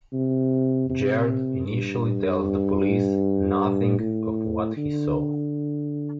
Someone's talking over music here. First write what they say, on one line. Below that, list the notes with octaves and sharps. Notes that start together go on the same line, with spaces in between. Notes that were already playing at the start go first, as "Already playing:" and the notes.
Jared initially tells the police nothing of what he saw.
C3
C3
G2
A2
D3